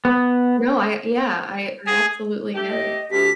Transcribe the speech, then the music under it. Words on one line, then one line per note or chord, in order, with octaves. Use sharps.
No, I a yeah, I I absolutely get it.
B3
G#4
A3 G4
D#5
D2 G4 B6